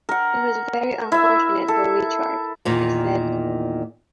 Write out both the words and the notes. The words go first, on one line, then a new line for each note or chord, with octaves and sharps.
It was very unfortunate for Richard, I said.
A#4 F#5
E4 E5
A4
E2 A#2 D#3